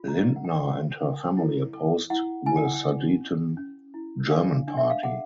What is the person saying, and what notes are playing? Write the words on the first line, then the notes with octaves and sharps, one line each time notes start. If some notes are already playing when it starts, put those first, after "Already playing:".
Lindner and her family opposed the Sudeten German Party.
Already playing: F4
A#5
C#5
F#5
G5
F4
A#4
E4
A4
E4 F#5
E4 G#5
G5
F#5
G5
G#4
C#4
C#4
E4
D4 F5
D4
E5
F5
G#4 F#5